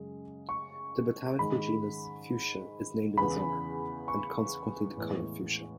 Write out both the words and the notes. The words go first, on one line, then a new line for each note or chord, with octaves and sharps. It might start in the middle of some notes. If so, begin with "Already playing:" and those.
The botanical genus "Fuchsia" is named in his honour, and consequently the colour fuchsia.
Already playing: F#2 C#3 G#3
C#6
G#2 D#3 G#3 B5
E2 C#3 E3 B3 B5
C#6
A2 E3 G#3 B3